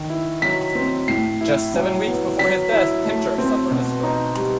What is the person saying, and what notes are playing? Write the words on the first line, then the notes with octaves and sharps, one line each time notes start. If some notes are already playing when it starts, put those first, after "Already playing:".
Just seven weeks before his death, Pincher suffered a stroke.
Already playing: D#3
E4
F#3 B6
C4
A2 C7
E4
F#3
B3
F#3 B6
E4
A3
C4
B2
D#4
G3